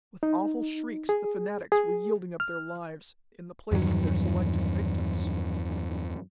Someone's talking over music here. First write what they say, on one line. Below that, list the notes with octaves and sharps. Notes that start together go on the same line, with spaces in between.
With awful shrieks the fanatics were yielding up their lives, in the place of their selected victims.
D#4
G#4
G#4
F6
E2 G2 D#3 F#3